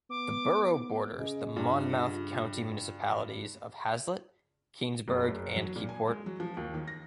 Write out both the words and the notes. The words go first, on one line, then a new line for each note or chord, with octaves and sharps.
The borough borders the Monmouth County municipalities of Hazlet, Keansburg and Keyport.
B3 D6
C#3 D#5
G2 F4
F#1
F#1
F#3
A#2
G#5
G#3
F#3
F3
D#2
D#3
A#6